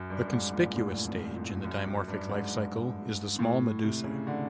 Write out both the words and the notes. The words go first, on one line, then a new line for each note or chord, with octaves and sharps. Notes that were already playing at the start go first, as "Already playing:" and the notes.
The conspicuous stage in the dimorphic lifecycle is the small medusa.
Already playing: F#2
G2
G2
G#2
A#2
A2
F2
F2
F#2
F#2
G2
G#2
A2
C3
C#3
D3